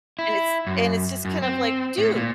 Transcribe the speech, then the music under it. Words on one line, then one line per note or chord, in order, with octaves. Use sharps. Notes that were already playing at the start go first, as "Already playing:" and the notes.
And it's and it's just kind of like, "Dude,
E4
F#2
F#2
C4
A2
A#2